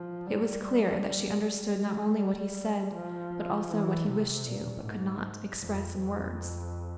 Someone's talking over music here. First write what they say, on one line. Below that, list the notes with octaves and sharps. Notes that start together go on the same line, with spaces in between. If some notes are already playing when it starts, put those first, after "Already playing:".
It was clear that she understood not only what he said but also what he wished to, but could not, express in words.
Already playing: F3
G3
G#3
G3
F3
E3
C3
A#2
G#2
F2
F2